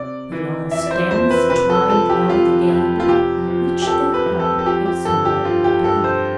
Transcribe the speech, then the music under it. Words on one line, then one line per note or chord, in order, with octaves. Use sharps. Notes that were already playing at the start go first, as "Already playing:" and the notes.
The long stems twined round the gable, on which there hung a small bell.
Already playing: C3 D5
E3
F2 E5
D5
C5
F2 C5
B4
C3 B4
A4
F3 A4
G4
F2 F4
F2
F4
C3 G4
F3
G4
F2 A4
B4
F2
A4
A4
F3 G4
G4
G2 A4
G4
F3 F4
G4
G2 A4
C5